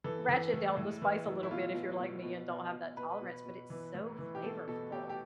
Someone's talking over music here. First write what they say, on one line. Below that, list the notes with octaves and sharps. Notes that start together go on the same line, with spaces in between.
ratchet down the spice a little bit if you're like me and don't have that tolerance, but it's so flavorful.
E3 A4
E3
A2
A2
E3
A2
E4
B2 F4
B2
B2
B2
B2
B2
B2 B4
B2
B2
E3
A2
E3
G4
B2 A4
B2 A4
B2 G4
G4